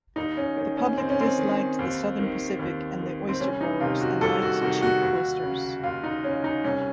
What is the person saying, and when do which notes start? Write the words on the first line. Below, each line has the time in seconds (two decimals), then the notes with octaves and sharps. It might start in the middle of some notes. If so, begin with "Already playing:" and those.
The public disliked the Southern Pacific and the oyster growers, and liked cheap oysters.
0.16 D#2 D#4
0.37 C#4
0.57 D#3 C#4
0.77 C#4
0.97 D#2 C4
1.10 C#4
1.21 C4
1.38 D#3
1.79 D#2
2.19 D#3
2.59 D#2
3.00 D#3
3.29 C4
3.40 C2 C#4
3.61 D#4
3.80 C3 D#3 F4
4.01 F#4
4.21 C2 A4
4.42 F#4
4.62 C3 D#3 F#4
4.82 F#4
5.02 D#2
5.43 C#3
5.83 D#2 F4
6.04 D#4
6.24 C#3 C#4
6.44 D#4
6.64 C2 C#4